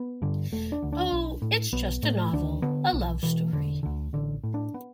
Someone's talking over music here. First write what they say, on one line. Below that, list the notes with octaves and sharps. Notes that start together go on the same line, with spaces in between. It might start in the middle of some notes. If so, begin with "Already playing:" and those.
Oh, it's just a novel, a love story.
Already playing: B3
G2 D3
E1 A3
D4
D2 D3
D4
B1
A2
B1 B3
A2 A3
D2 D4
D3 B3
B1
B2 E3
E1 D3
D2 D3
A1 D3
A2
D4
B3